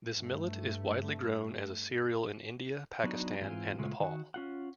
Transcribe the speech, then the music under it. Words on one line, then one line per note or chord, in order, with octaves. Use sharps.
This millet is widely grown as a cereal in India, Pakistan, and Nepal.
G2 A3
F#3 B3 D4 D#4 F#4
G#2 E3 C4 F4 G#5
A#2 C#3 G#3 A3 F4
D#3 F#4
C#4 F4 F#5